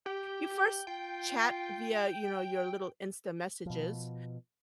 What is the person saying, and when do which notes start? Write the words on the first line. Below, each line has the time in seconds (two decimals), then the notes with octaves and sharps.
You first chat via, you know, your little Insta messages.
0.06 G4 G5
0.87 F4 G5
3.66 B2 F3